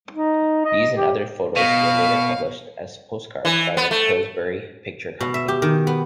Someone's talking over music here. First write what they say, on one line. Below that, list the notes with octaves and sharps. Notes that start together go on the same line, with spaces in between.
These and other photos were later published as postcards by the Pillsbury Picture Company.
D#4
D#5
G4
B2 F5
E3
B3
A3
B2
E5
G4
D#3
B3